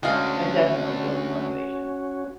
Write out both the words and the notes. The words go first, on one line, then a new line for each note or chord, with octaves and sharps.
That definitely kills your motivation.
D2 G#3 C#4 F#4 G#4 F5